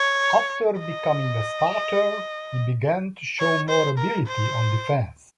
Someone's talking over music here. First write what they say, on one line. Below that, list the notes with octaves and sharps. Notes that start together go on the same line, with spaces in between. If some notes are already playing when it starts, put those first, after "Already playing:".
After becoming a starter, he began to show more ability on defense.
Already playing: C#5
D#5
C#5
C5
A#4
C5